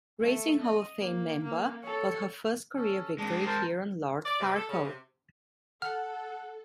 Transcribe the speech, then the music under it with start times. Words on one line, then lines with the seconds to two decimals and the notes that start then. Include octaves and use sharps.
Racing Hall of Fame member, got her first career victory here on Lord Farkle.
0.20 A3
0.61 D#5
0.99 A#3
1.43 A#3
1.83 A4 C#5
2.77 C#4 A4
3.18 G#3 C4 D4
3.46 A#4 C5 A5
4.25 D5
4.40 C3
4.55 A4
4.69 C#3
4.85 C3
5.82 A4 F#5 F6